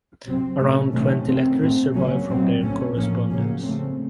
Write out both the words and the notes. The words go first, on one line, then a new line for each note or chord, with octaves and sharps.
Around twenty letters survive from their correspondence.
C3 F#3 C4
A#2 A3 C#4
C3 D#3 F#3 A3 C#4
D#3 A3 C4
A#2 A3 C4
C#3 F#3 A#3 C#4
A2 F#3 C4
A2 A3 C#4
A2 F3 A#3 C#4
C#3 F#3 A#3 C#4
C#3 A3 C4